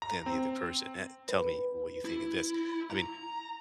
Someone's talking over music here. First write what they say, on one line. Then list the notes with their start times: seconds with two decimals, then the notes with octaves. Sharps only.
than the other person an tell me what you think of this. I mean,
0.02 A#5
0.26 C4
1.29 B4
2.05 E4
2.90 A#5